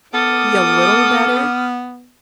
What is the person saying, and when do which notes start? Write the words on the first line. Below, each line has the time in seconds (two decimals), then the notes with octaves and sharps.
be a little better
0.14 B3 A4 D6 D#6 F6